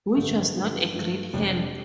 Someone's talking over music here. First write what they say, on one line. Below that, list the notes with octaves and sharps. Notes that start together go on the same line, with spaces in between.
Which was not a great help.
A1 G2 D3 A3
G2 D3 F3
G2 F3 A3
F1 F2 C3 G3 D4